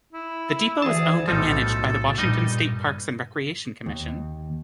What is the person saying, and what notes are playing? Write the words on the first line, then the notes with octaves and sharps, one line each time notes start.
The depot is owned and managed by the Washington State Parks and Recreation Commission.
E4
D2 E3 G#4 A5
B1 A2 F3 G3 D#4 A4
G2 A#2 G3 D#4 D#5
D#2